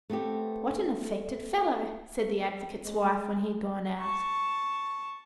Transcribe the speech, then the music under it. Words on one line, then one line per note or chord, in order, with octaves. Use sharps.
"What an affected fellow!" said the advocate's wife, when he had gone out.
A3 B3 C4 G4
G#3
A5 C#6